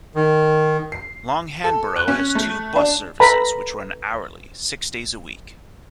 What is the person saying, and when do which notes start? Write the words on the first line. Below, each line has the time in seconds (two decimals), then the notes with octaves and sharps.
Long Hanborough has two bus services, which run hourly, six days a week.
0.15 D#3
0.92 C7
1.64 A4
1.96 F#6
2.08 C#4
2.35 A3
2.76 D4
3.20 A4 B4 A#5 B5